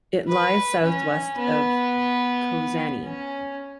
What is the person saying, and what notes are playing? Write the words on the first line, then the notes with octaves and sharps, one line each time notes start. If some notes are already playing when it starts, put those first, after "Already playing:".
It lies southwest of Kozani.
B4
C#4
B3
C#4